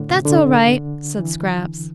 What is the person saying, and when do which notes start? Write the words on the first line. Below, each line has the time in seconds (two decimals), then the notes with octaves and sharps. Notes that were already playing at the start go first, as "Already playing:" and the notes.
"That's all right," said Scraps.
Already playing: A2 D3
0.09 C3
0.25 D3
1.18 E3